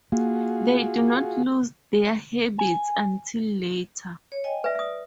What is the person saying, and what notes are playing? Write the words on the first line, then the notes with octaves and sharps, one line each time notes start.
They do not lose their habits until later.
A#3 F4 F#4 G#4
G#5
C#5
D#5 G5 G#5
B4 D5 E5
E5 D#6